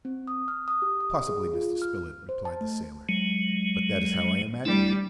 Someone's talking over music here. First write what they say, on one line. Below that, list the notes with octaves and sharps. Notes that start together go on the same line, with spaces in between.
"Possibly, Mr. Spilett," replied the sailor, "but that is how I imagine him!"
C4
D#6
F6
D#6
G4
D#6
G#4
F4
F6
C5
A5
A3
F#3 G#3
G3 A3 D4 E4